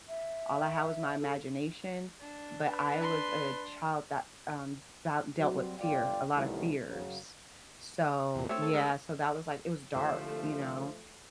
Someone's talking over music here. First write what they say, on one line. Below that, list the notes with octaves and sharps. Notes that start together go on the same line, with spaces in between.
All I had was my imagination, but I was a child that, um, 'bout dealt with fear, a lot of fears. So, yeah, so that was like it was dark, you know?
E5
A4
D4
B4
C6
F#3 G3 C4 F#4
G1 F4 D5 G5
C2 F#2 D#3 E3 G3 A3
F#2 C#3 F#3
E2 A#2
A3 C4 C#5 E6
A4
G#3 A#4 D#5
C2 D3 F3 A3 C5